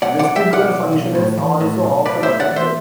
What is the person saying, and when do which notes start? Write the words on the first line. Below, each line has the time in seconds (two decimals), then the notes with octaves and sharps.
Vestibular function is also often affected.
0.02 B1 D5 F#5
0.19 D5 F#5
0.25 B1
0.36 E5 G5
0.48 B1
0.53 D5 F#5
0.70 B1
0.93 B1
1.15 A2
1.38 E3
1.61 A2
1.84 B1
2.06 B1 B4 D5
2.23 C5 E5
2.28 A2
2.40 D5 F#5
2.51 E3
2.56 C5 E5